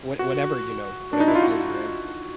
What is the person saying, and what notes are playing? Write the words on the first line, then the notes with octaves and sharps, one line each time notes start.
what whatever, you know whatever field you're in.
F#4
D4
D#4
E4
F4
F#4